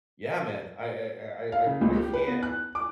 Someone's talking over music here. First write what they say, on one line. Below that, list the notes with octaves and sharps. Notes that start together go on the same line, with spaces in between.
yeah, man, I I I I I can't
F5
C#3
C#2
G4
B4
B3
F#6
D6